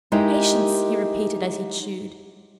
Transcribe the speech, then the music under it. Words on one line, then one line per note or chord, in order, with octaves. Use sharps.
"Patience!" he repeated as he chewed.
G#3 D#4 E4 G4 A#4 D#5